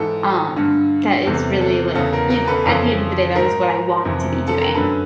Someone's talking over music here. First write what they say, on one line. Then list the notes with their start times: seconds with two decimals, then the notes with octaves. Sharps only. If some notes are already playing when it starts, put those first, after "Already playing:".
Um, that is really, like you know, at the end of the day, that is what I want to be doing.
Already playing: G#2 E3 A4
0.56 G2 D3
1.26 E2 C3 E3 A4
1.61 A4
1.95 E2 C#3 E3 A4
2.13 A#4
2.30 A#4
2.47 A4 B4
2.65 F2 C#3 E3 A4
3.35 G#2 D#3 A#4
4.05 F2 C3 E3
4.48 A4
4.61 A#4
4.74 F#2 D3 A4 B4